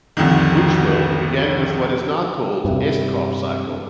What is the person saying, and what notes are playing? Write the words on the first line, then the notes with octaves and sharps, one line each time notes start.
Witch World begins with what is now called the Estcarp cycle.
C2 F2 D3 D#3
G2 C3